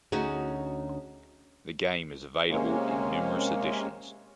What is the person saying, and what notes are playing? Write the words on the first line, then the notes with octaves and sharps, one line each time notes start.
The game is available in numerous editions.
D2 C#4 D#4 F#4 G#4
C3 G#3 A#3 C#4